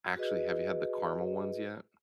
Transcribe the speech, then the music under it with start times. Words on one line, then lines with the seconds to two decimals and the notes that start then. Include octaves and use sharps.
Actually, have you had the caramel ones yet?
0.16 F#4 G#4 B4 D#5